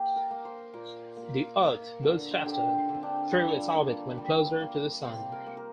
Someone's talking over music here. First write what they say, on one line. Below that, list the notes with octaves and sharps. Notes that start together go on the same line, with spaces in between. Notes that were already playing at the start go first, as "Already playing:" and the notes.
The earth moves faster through its orbit when closer to the sun.
Already playing: A#3 G4
A#4
A#3
C5
A#2 A#4
A#3
A#3
D3
C5
A#4
D3 G4
D3
C4
D4
G3 F4
A#3
G3
A#3
C3 C5
A#4
A#3
A#4